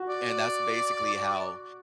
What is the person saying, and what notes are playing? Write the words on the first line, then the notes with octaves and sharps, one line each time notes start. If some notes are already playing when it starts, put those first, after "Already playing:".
And that's basically how
Already playing: F#4
D5